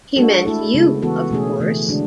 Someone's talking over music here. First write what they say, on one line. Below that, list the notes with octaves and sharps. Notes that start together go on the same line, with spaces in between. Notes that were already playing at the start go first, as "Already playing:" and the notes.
He meant you, of course.
G#3 D4 F#4 A4
A3 E4 A4
C#3 G#3 B3
E3 B3 F#4 A4
B2 A3 C#4 G#4
C#3 E3 A3
D3 G#3 D4 F#4